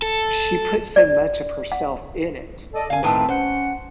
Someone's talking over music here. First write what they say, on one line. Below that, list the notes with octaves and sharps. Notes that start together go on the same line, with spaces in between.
She put so much of herself in it,
A4
D5
F#5
A4 D5 D#5
F#2 D3 F5 G#5
A2 D#3 C4 B4
C#4 C5 F#5